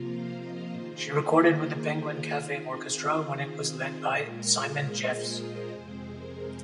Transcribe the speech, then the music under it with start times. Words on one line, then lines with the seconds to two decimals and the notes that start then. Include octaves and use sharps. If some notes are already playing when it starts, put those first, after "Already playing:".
She recorded with the Penguin Cafe Orchestra when it was led by Simon Jeffes.
Already playing: C3 F3 A#3 F4 A#4 C5 F5
0.31 A#4 D#5
0.73 D#3 A#3 F4 G#4 C5
1.14 A#4
2.38 D#3 C4 F4 G#4 C5
2.79 G#4 C5
3.21 G#4 C5
3.63 G#4
4.04 A#2 G#3 F4 A#4
4.45 G#4 C5
4.86 A#4 D#5
5.27 G#4 C5
5.69 F2 C3 G#3 C4 G#4 C5
6.10 A#4